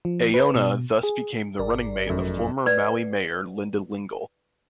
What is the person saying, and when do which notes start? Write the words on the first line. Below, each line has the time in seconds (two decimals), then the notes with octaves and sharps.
Aiona thus became the running mate of former Maui Mayor Linda Lingle.
0.05 F3
0.34 B4
0.55 B2
1.03 G#4
1.59 G#1 A#4 D5
2.07 F1 F#2
2.66 B4 D5